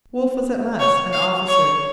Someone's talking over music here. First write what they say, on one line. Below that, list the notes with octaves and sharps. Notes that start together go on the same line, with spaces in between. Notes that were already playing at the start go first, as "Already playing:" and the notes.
Wolfe was at last an officer.
C#5
F5
C#5